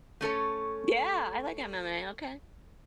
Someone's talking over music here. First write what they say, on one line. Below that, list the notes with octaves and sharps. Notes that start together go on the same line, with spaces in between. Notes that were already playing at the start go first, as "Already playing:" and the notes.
Yeah, I like MMA, okay.
A3 C#4 A4 C#5